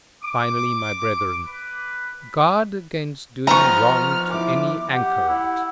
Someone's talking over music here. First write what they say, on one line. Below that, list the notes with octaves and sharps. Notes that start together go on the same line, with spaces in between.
Finally, my brethren, guard against doing wrong to any anchorite.
D6
B4
F3 B3 D#4 A#5 C#6 F6
E4 D6
G4 F#5
E4